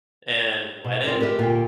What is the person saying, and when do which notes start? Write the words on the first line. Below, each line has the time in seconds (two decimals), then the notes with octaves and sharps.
and wet it,
0.84 B2
1.04 C4 F4 G#4 A#4 D5
1.20 G4 A#4 B4 E5
1.39 D2 A#2 A#3 F4 A#4 G5